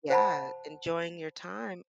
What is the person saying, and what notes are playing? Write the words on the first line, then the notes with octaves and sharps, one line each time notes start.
Yeah, enjoying your time
C5 F#5 A5 B5